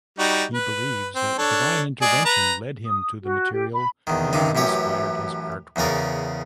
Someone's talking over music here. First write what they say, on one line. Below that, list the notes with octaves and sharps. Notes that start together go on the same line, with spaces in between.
He believes that divine intervention led him to the material and inspired his artwork.
G3 D#4 F#4
B4
C4
D4 A4 C#5
G#3 G#4 D5
B4 A#5
D#6
F#4
G4
B5
E2 D#3
G2 C3 D#3 D#4
A1 F#2 E3 G4 C#5
E2 C#3 C#4 A#4 D5